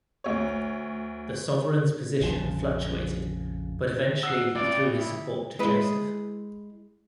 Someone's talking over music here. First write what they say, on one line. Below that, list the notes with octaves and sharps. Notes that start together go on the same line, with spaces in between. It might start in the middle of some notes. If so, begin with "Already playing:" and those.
The sovereign's position fluctuated, but eventually he threw his support to Joseph.
D2 C#5
A#1 F2 C#3 F3
F#5 E6 C7
A1 D5
E4
G#3 E4 B4